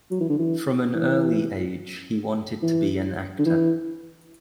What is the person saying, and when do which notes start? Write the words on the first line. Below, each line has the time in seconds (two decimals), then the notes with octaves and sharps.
From an early age he wanted to be an actor.
0.11 F#3
0.20 E3
0.29 D3
0.39 E3
0.94 E3
2.62 E3
3.39 D3
3.46 E3